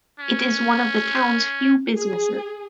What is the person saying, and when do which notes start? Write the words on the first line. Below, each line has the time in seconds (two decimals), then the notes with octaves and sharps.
It is one of the town's few businesses.
0.20 C#4
1.97 G#4